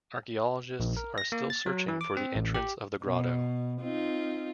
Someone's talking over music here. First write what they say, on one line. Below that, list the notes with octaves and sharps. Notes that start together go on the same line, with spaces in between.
Archaeologists are still searching for the entrance of the grotto.
A#1
A#4
A#6
A#3
A6
F#3
E3
D6
C4
A1
G4
B2
C4 D#4 F4